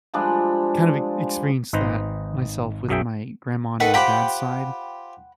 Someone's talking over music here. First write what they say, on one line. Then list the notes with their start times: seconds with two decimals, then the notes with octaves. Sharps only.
kind of e experienced that myself with my grandma on my dad's side,
0.14 F3 G3 G#3 D4
1.73 G#1 D#4 B4 C5 D#5
2.89 B1 F#2 F#3 G#4 E5 G5
3.80 D#3 A4 B4 F#5
3.94 F4 G4 C5 F#5 G5 B5